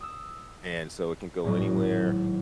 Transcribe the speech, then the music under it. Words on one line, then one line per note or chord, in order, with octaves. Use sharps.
And so, it can go anywhere
D#6 E6
D#1 G#1 A2 F#3 D#5